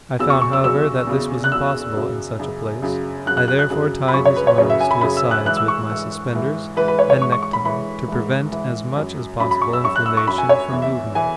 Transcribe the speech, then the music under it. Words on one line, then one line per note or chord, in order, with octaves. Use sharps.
I found, however, that this was impossible in such a place. I therefore tied his arms to his sides with my suspenders and necktie, to prevent as much as possible inflammation from movement.
E2 C#3 F#3 E6
C#6
C#6
E6
E2 C#3 F#3 E6
E2 C#3 F#3
F#6
E2 C#3 F#3 E6
F#2 C#3 F#3
F#2 C#3 F#3
F#2 C#3 F#3
F#2 C#3 F#3 F#6
F#6
F#6
F#6
F#2 C#3 F#3
B5
F#2 C#3 F#3 C#6
C#5
B4
C#5
F#2 C#3 F#3 C#5
E5
G#5
B5
F#2 C#3 F#3 B5
E6
F#6
G#2 E3 F#6
E6
C#6
G#2 E3
G#2 E3
G#2 E3 B4
B4
C#5
C#5
G#2 E3 C#6
C#6
C#6
B5
G#2 E3 B5
G#2 E3
G#2 E3
F#2 F#3
F#2 F#3 B5
B5
C#6
E6
F#2 F#3 C#6
F#6
E6
C#6
F#2 F#3 B5
G#5
C#5
E2 E3
E5
E3 G#5